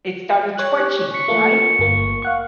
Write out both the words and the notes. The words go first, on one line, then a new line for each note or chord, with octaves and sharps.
it started twitching, right?
C#5 F#6
G4
C#6 B6 C#7
A3 A#3 F4
G1 A#3
F5 F#5 C#6